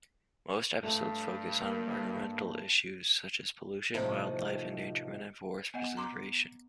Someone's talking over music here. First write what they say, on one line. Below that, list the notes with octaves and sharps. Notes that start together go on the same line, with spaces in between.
Most episodes focused on environmental issues such as pollution, wildlife endangerment, and forest preservation.
G2 A3
A#3
A2 C3 D#3 F3
B3 D#5 F#5
A#5 C6 D6